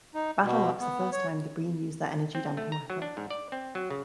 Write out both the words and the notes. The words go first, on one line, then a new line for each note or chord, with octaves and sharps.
The battle marks the first time the Breen use their energy-damping weapon.
D#4
B2
B3
C#5
C4
A3
A#5
F#3
D4
G#2
D5
C4
F#3
C#3